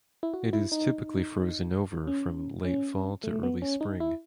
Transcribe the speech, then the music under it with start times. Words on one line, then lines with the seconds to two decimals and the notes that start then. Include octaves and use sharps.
It is typically frozen over from late fall to early spring.
0.23 E4
0.34 F#4
0.53 E4
0.72 D#4
2.07 C#4
2.65 C#4
3.24 A3
3.43 B3
3.62 C#4
3.81 D#4
4.00 E4